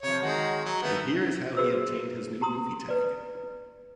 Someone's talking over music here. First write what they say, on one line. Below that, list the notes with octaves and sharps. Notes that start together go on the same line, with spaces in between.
And here is how he obtained his new movie tag.
C3 F3 C#5
D#3 G#3 F#4
F#3
D#3 A3 B3 F#4
F#4 G#4 B4 C5 E6
G4 A#5 C6 D#6
B4 D5